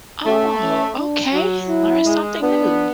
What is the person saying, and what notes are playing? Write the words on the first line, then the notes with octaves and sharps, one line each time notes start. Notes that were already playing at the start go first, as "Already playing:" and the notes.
Oh, okay. Learned something new.
A3 C#4
C#4
D4
F#3 F#4
E4
G#3
B3 D4